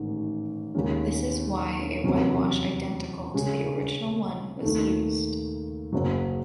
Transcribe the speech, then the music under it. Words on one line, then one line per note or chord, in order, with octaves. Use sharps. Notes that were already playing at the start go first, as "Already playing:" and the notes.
This is why a whitewash identical to the original one was used.
Already playing: A1 G#2 D#3
D#2 D#3 G#3 C#4
E2 C3 F#3 C#4
C#3 G#3 C#4 G#4
D#2 D#3 A3
F#1 F#2 C#3 F#3